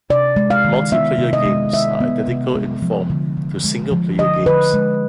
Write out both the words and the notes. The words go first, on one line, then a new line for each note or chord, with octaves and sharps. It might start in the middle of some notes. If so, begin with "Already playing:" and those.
Multiplayer games are identical in form to single player games.
C3 D5
G#3
F5
D#3
B3 E5
C3
D#5
G#3
D#3 E5
B3
C3
G#3
F3
D3
D3
G#3
F3
D3 D#5
D3 B4
G#3